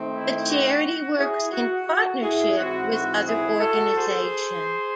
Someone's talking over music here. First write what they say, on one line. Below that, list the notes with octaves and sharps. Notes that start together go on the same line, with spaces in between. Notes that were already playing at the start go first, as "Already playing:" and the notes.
The charity works in partnership with other organisations.
Already playing: D#3 A3 C4 D#4
E4
F#4
E4 G#4
F#4
F#4
E4 G#4
G#2 E3 C4 E4 F#4
F#4
E4 G#4
F#4 A4
G#4 C5